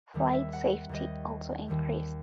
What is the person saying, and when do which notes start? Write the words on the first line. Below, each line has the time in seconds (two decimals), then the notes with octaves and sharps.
Flight safety also increased.
0.14 D#2 D#3 G3
0.33 E5
0.53 F#5
0.89 D#2 D#3 G3 D#5
1.68 D#2 D#3 G3